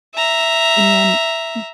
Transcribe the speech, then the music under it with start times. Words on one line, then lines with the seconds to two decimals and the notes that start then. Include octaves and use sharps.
And m
0.15 E5 A#5